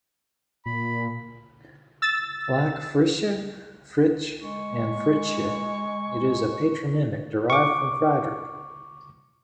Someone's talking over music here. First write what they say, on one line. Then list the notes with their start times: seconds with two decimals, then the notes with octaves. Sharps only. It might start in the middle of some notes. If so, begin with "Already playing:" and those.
Like Fritsche, Fritzsch and Fritzsche, it is a patronymic derived from Friedrich.
0.66 A#2 B5
2.02 E6 A6
4.43 G#3 C#6
7.50 C#6 D6